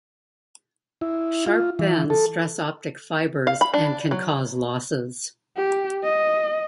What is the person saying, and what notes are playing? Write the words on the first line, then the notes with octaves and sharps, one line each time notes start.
Sharp bends stress optic fibers and can cause losses.
E4
F4
E3
A4
F5
B5
D4
F#3
G4
D#5